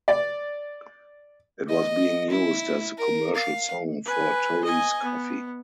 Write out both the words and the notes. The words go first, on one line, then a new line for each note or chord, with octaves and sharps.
It was being used as the commercial song for Tully's Coffee.
D5
D#5
E4
A#4
F5
B4 G#5
D#5 G#5
B3